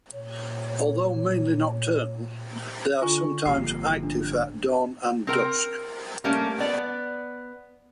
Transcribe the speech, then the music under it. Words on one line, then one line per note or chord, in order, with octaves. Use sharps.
Although mainly nocturnal, they are sometimes active at dawn and dusk.
A#2 C#5
D3 F4 G#5 C#6
G1 F2 A2 A#3 G4 C7
D4
C4 A#4 G5
G3 A3 A#3 C#4
B3 D5 F#5